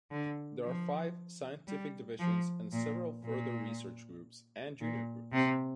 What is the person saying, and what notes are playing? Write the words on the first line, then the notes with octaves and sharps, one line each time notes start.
There are five scientific divisions and several further research groups and junior groups.
D3
F3
G3
F3
A#2
A#2
A#2
C3